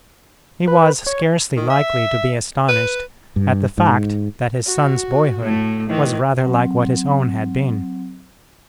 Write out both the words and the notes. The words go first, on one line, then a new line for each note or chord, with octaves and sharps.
He was scarcely likely to be astonished at the fact that his son's boyhood was rather like what his own had been.
B4
C#5
D#3
E5
B4
G2
G#2
F#4
A2 A3
D#3 E3
F#3 C4